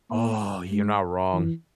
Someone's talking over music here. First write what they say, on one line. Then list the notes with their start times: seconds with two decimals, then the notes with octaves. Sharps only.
Oh, you're not wrong.
0.10 A#3
0.71 G#3
1.33 E3